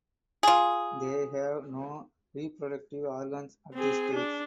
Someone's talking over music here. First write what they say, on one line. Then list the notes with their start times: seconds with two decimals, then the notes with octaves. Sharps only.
They have no reproductive organs at this stage.
0.43 F4 G#4
3.74 C4 G#4
4.13 D4